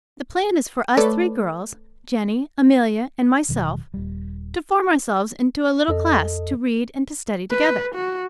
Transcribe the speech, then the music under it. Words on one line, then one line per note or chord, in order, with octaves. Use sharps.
The plan is for us three girls, Jenny, Amelia and myself, to form ourselves into a little class to read and to study together.
A3 A4 B4 C#5 D5
E1 B2 D#3 F#3
D#1 G3
F2 A4 D#5
B4
F#4